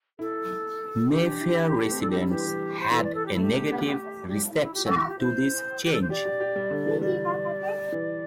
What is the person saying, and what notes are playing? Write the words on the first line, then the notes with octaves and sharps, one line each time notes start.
Mayfair residents had a negative reception to this change.
E4 A4
D4 G4
D4
E4
A3
C4
D4 A4
G4
G3 E4
E3 G4
E3
C5
E3 A4
D5
A4
G4
E4
A3 G4
G4
E4
E4
G4
A4
E4
G4
E4 C5
G4
A4
C5
G4 D5
G4
G4
G3
D3
E3
G3 D5
E3